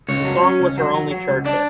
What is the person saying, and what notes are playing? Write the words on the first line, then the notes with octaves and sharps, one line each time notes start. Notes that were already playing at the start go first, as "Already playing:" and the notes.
The song was her only chart hit.
C#2 C#5
F#3
C#4
C#2
F#3
F#3
F#3
C#2
D4 D5